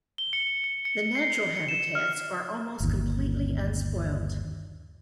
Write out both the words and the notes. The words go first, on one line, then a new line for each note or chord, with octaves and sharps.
The natural habitats are almost completely unspoilt.
G7
C#7
C#7
C#7
C7
C#7
E7
F6
G1 D#2